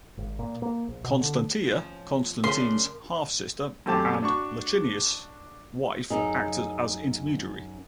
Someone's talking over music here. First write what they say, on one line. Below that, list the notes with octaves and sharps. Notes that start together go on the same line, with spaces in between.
Constantia, Constantine's half-sister and Licinius' wife, acted as intermediary.
G#1
A#2
A#3
A#1
B2
D3
F3 C#4
C#3 A#4 C6
D4 D5
F#2 A3 C4 G4 A5
D4 F#4 C#6
F#2 D#4 G#4